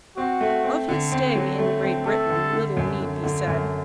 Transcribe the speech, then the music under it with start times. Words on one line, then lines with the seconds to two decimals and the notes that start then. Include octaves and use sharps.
Of his stay in Great Britain little need be said.
0.17 C4 F#4
0.41 A3
0.64 C4
0.89 D3
1.12 C4
1.36 F#3
1.58 A3
1.82 C4
2.06 A3 A4
2.29 D3
2.53 D3
2.77 F#2
3.00 D3
3.23 D3
3.47 F#2